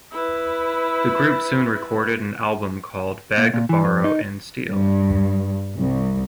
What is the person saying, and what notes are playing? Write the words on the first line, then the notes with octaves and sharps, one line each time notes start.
The group soon recorded an album called "Beg, Borrow and Steal".
E4 B4
A#2
A#2
E3
F2
D#4
G2
C2